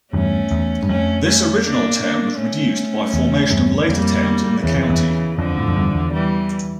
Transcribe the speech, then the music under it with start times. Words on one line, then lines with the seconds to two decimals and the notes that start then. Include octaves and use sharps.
This original town was reduced by formation of later towns in the county.
0.13 E2 G2 A3 C#4
0.51 E2
0.83 G2
0.89 F2 A3 C#4
1.26 A3 C#4
1.63 A#3 D4
2.01 A#3 D4
2.39 A3 C#4
3.14 E2
3.51 E2 G2
3.89 F2 G3 A#3
4.63 E2 C#3 E3
4.76 F2
4.89 E2
5.38 F2 D3 F3
5.57 F2 A2
5.68 F2
5.76 E2 G2
5.95 E2
6.13 E3 G3